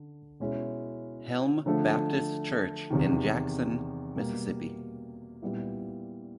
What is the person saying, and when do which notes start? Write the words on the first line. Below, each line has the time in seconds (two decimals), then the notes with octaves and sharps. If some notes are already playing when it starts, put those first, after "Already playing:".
Helm Baptist Church, in Jackson, Mississippi.
Already playing: D3
0.40 B2 G#3 C#4 E4
1.66 D3 F3 A3 D4
2.90 E2 C3 D#3
4.16 B2 G3 A#3
5.42 A#2 G3 B3 E4